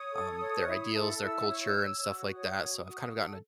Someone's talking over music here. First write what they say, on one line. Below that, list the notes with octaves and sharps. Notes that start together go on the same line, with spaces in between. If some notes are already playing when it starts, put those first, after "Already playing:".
um, their ideals, their culture, and stuff like that so, I've kind of gotten a
Already playing: C#5 D#6
A4
C#5
E4
A4
E4 E6
C#5
C#5
F#4
C#5 D#6
F#4
F#4
A4